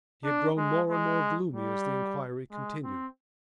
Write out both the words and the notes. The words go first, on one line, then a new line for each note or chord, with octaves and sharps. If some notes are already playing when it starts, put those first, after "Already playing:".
He had grown more and more gloomy as the inquiry continued.
D4
G#3
G#3
G3
G#3
C4